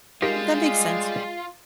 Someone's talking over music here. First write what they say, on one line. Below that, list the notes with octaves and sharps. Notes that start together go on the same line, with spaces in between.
that makes sense.
G3 G#3 D#4 F4 G4 A#4